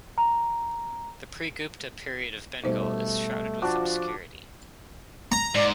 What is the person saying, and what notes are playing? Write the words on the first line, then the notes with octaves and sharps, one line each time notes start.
The pre-Gupta period of Bengal is shrouded with obscurity.
A#5
B2 G3 A3 D#4 C5
F3 D4 F4 F#4 A5 D6
A#5
G#2 D5